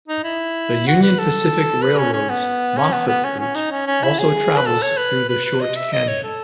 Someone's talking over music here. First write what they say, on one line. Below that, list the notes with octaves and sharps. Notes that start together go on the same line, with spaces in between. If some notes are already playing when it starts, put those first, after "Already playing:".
The Union Pacific Railroad's Moffat Route also travels through the short canyon.
D#4
E4
F#4
B4
A4
B4
C#4
C#4
B3
C#4
B3
B3
C#4
C#4
D#4
C#4
C#4
E4
G#4
B4
A4
C#5
B4
B4
B4
D#5
E5
D#5
C#5
A4